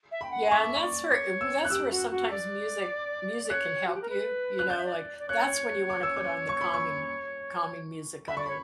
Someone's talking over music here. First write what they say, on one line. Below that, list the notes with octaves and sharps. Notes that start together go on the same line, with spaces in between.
Yeah, and that's where i that's where sometimes music music can help you, you know? Like, that's when you wanna put on the calming calming music on your
E5
G5 B5
F#5
E5 C#6
D6
D5 C#6
C#5 D6
E6
F#6
G4 E6
F#4
F#4
D5
D5
C#5 F#6
F#4
G4
A#4
B4
F#6
D5 G6
E5
D5
D5
C#5 F#6
D6
E6
D6
C#6
B5
C#6
E5 B5
D5 C#6
C#5 B5